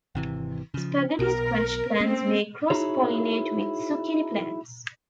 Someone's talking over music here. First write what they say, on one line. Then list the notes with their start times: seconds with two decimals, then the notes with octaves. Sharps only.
Spaghetti squash plants may cross-pollinate with zucchini plants.
0.15 G#1 C3 E3
0.74 C#3 F3
1.19 B1 B2 A#4
2.00 A#3 C4 C#4
2.70 D#4 E4 F#4 G#4 C#5